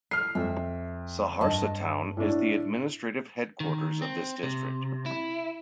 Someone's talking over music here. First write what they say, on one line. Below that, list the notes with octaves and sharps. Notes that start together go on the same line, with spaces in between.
Saharsa town is the administrative headquarters of this district.
A4 F6 C7
F2 E5
G2 D#5 A5
A2 D4
D#3
C4
C3
E4